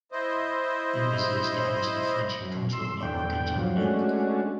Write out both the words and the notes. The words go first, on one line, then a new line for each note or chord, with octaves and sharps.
It was to establish the French cultural network in Germany.
E4 C5 D#5
F#2
C6 E6
E2 D3 G5
F3 F#3
G#3 A3 C#4 D4 F#4